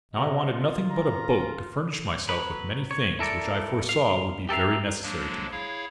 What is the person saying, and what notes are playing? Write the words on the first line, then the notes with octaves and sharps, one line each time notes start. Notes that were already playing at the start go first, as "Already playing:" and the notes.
Now I wanted nothing but a boat to furnish myself with many things which I foresaw would be very necessary to me.
C3 D#5
F4
A#5
F#3 B4
C#5
E4 A4 A#4 D5
F5
G4 A4 A#4 E5 F5
F3 F#3 G#3 A#3 D4
E4 G#4 C#5 F5